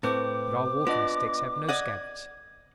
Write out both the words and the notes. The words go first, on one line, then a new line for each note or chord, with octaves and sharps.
But our walking-sticks have no scabbards.
A2 C4 B4 C5 D6
B3 D4 F4 D#5
D5 D#5 F#5 G#6